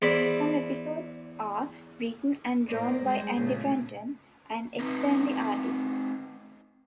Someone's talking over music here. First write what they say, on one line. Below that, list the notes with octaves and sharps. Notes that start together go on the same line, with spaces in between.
Some episodes are written and drawn by Andy Fanton, an ex-Dandy artist.
E2 C5 D5 B5 D6
A2 A#3 C5 D5 D#5
G3 G#3 G#4 C5
A#2 C#3 A3
C4 D#4 B4